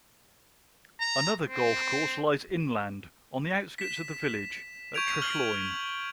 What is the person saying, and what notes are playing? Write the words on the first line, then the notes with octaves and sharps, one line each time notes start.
Another golf course lies inland, on the outskirts of the village, at Trefloyne.
A#5
C4
B6 E7
C#6 G6 G#6 D7 F7
F6 F#7